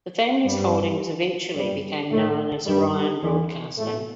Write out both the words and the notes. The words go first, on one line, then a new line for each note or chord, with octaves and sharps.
The family's holdings eventually became known as Orion Broadcasting.
G2 G3
G2 G3
A2 A3
G2 G3
E2 E3
A2 A3